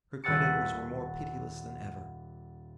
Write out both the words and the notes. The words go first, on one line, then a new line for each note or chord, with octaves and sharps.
Her creditors were more pitiless than ever.
D#1 B4 F#5 E6 A6 C#7